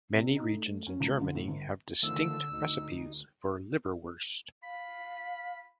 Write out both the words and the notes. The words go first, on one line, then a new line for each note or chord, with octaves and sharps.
Many regions in Germany have distinct recipes for liverwurst.
C3
D#4
A3
C#4
C#2
D3
A2
G1
D3 D#3 F3 A3 E6
D2 D#4
F5 B5